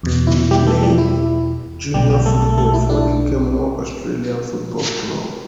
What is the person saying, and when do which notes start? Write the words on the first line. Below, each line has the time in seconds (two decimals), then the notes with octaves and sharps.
He played junior football for the Kenmore Australian Football Club.
0.03 E2 B2
0.27 E4
0.51 G3 G4
0.67 A3 A4
0.83 G3 G4
0.98 E4
1.94 B1 B2 G3 G4
2.10 G3 G4
2.26 A3 A4
2.42 A3 A4
2.58 A3 A4
2.73 E4
2.89 D4